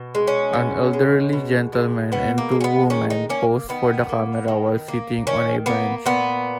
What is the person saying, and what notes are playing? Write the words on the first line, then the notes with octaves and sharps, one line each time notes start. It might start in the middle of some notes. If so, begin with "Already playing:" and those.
An elderly gentleman and two women post for the camera while sitting on a bench.
Already playing: B2
G#3
C#4
B2
G#3
B2
G#3
B2 B3
A#3
G#3
C#4
B3
D#3 C#4
D#4
A#3 C#4
D#3 B3
A#3
D#3
A#3
D#3 C#4
A#3 B3
A#2 B3